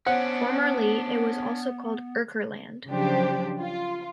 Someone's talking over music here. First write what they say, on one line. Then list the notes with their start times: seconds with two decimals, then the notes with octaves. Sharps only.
Formerly, it was also called "Urker Land".
0.06 B3 C#4 D4 C5 C#5 F#5
2.88 C#3 F3 F#3 D4 G4 C5
3.60 F4